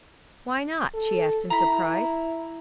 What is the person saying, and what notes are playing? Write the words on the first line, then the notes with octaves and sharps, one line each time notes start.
"Why not?" she asked in surprise.
A4
E4 A#5 B5